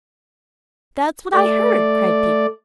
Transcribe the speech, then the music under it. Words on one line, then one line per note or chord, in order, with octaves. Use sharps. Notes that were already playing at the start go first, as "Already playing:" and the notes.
"That's what I heard," cried Peter.
A3 D5